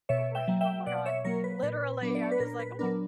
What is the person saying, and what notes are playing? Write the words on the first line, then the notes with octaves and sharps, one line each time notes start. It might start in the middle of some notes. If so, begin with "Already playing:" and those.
Oh righ oh my god, literally! I'm just like, "Oh my
B2 C#5 E5
E5 G5
F#3 A#3
E5 G5
B2 D5 F#5
C#5 E5
F#3 A#3 A#4 C#5
B4
A#2
F#3 B3 D4
D5
C#5
B4
A#2 A#4
B4
F#3 B3 D4 A#4